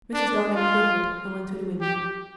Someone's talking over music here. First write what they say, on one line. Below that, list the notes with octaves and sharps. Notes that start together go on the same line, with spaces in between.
Mrs. Darling quivered and went to the window.
D4
F4
G4